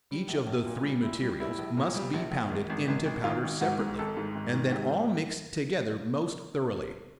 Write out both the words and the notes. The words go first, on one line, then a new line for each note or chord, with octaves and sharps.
Each of the three materials must be pounded into powder separately, and then all mixed together most thoroughly.
G3
A#1
A#1
A#2
G3
A#2 E4
G3
G3 E4
A#1
A#2
G3
A#1
A#1
G#1
G#1
G#1
G#1
D#3 F4
G#1
G#2 F#4
G#2
G#1 A4
G#2
G#1
D#3
G#2 G4